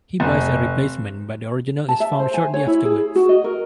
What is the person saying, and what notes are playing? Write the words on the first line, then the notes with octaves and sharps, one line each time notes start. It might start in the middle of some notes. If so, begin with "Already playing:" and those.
He buys a replacement, but the original is found shortly afterwards.
F1
A5
E5
C5
G#5
C#5
E4
G#4
F#4
D#5
A#4